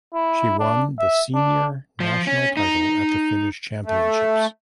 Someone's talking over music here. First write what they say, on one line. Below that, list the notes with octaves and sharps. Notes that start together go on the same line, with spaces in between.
She won the senior national title at the Finnish Championships.
E4
D4
E5
D4
F3
C#4
D#4
A3